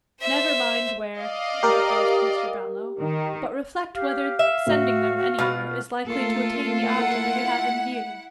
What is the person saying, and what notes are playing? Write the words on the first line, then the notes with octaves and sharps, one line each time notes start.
'Never mind where,' interposed Mr. Brownlow. 'But reflect whether sending them anywhere is likely to attain the object we have in view.'
C5 E5
D5 D#5 F5
G4 A#4
D#3
G4 F5
E5
A2 F#4
B2 F4 F#5 B5 C#6 F6
A3 A#3 F4 A4
E4 F#5